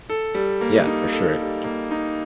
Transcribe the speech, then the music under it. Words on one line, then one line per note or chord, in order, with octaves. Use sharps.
Yeah, for sure.
A4
G3
A#3
D#4
A4
G3
A#3
D#4